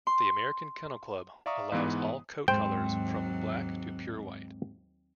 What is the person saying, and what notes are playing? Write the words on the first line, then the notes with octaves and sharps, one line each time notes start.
The American Kennel Club allows all coat colors from black to pure white.
C6
D5 E5 F5 A#5 C#6 D#6
G#2 E3 B3
D#2 G#2 F#3 G#3 C4 G5